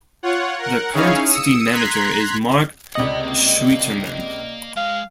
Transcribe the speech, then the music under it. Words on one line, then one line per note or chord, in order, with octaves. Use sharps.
The current City Manager is Mark Schwieterman.
F4 C#5 F#5
A#4 F#5
C#4 D#4 E4 G#4 C#5 F5
D#6 E6 C#7
A#5 C6 F#6 G#6 B6
C#2 C3 D5 D#5 F#5 B5 F#7
A#3
G#3 F5